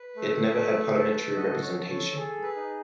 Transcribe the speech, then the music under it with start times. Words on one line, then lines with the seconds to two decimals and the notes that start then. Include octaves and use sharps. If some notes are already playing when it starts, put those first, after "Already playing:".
It never had parliamentary representation.
Already playing: B4
0.16 A3
0.56 A3
0.96 A4
1.29 E5
1.36 F#4 D#5
1.62 C#5
1.76 A4
1.90 C#5
2.16 G#4 A4
2.43 B4
2.56 D#4